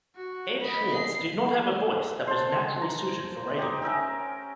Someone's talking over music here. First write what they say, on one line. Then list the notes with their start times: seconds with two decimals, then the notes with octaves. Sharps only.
Ed Schwartz did not have a voice that was naturally suited for radio.
0.16 F#4
0.61 D#5 B5
0.94 C7
2.27 C5 A5
2.82 A#5
3.58 D#4 G4
3.82 C#4 A#4 E5 G5